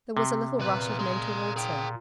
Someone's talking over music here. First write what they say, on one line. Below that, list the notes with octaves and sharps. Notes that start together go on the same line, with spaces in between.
There was a little rush of men towards her.
C3
E2 A#2 B4
G#4 C6
G#4 G5